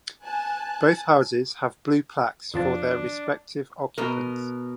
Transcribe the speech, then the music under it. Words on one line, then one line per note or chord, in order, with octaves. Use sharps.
Both houses have blue plaques for their respective occupants.
G#5 A5 F#6
F2 F3 D4 A5
B2 A#4